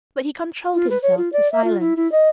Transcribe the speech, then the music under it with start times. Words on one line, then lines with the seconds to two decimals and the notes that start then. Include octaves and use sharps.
But he controlled himself to silence.
0.74 F4
0.90 B4
1.02 C#5
1.17 F4
1.33 D5
1.52 E5
1.64 F4
1.80 E4
1.96 E4
2.12 D#5